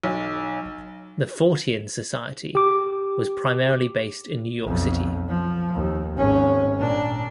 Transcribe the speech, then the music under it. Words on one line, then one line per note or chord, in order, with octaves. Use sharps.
The Fortean Society was primarily based in New York City.
B1
G4 D6
B1 F2
F3
D#2
G#1 C#4
A#2 D4